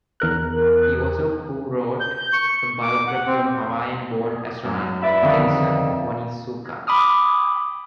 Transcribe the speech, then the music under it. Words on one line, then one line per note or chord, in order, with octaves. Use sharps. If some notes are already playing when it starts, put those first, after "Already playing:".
He also co-wrote a biography on Hawaiian-born astronaut Ellison Onizuka.
E2 A#4 F#6
G6
C#6
C#6
D6
F#5
C4
F#2
B4 D5 E5 B5
F2 D3 D#3
B5 D6 D#6 F6